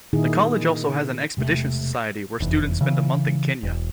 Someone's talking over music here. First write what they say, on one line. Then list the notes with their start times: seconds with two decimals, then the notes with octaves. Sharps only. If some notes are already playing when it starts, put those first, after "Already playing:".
The college also has an expedition society, where students spend a month in Kenya.
0.13 A#2 D#3 D#4 E4 G#4
1.37 E1 C3 G#3 A3
2.40 F1 E2
2.81 C#3 E3
3.63 E1